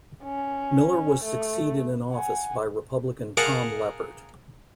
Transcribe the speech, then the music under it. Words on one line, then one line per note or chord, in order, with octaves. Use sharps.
Miller was succeeded in office by Republican Tom Leppert.
C#4
A3
F#5 G#5
G#4 A#4 F5 F#5 A5 A#5